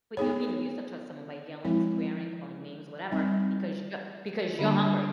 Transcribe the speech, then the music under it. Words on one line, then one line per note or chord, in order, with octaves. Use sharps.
But you're being abusive towards someone by yelling, swearing, calling names, whatever, because you're because you're hungry.
B3 D#4 G#4 C#5
F3 G#3 C4 E4
G3 C4 D#4
D3 G3 A#3 D4